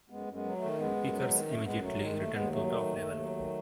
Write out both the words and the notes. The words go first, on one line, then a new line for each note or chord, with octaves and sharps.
Kickers immediately returned to top level.
F#2 G#3 B3
F#2
G#3 B3
F#3
A3
D#3
F#2 G#3 B3
F#2
F#3
D#3
F#2 A3
F#2 G#3 B3
F#3 A3
D#3 G#3
D#2 A3
D#2 G#3 B3
F#3 A3
D#3 A3
D#2
D#2
F#3
D#3